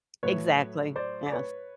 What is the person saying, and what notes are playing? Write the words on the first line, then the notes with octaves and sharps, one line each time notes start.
Exactly, yes.
A2 F#3 A3 B4 C#5
C5 D5
D5
B4 C#5